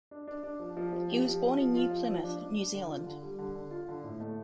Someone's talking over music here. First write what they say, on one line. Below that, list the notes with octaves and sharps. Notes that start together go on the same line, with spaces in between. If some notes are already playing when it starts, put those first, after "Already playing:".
He was born in New Plymouth, New Zealand.
D4
D4
D4
F3
F3
F3
G4
F3
F3
F3
F4
F3
F3
D4
D4
D4
D3
F4
D3
G3
D3
D3
F4
D3
A2
A3